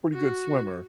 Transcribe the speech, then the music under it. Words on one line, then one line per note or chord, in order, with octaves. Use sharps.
pretty good swimmer
F#4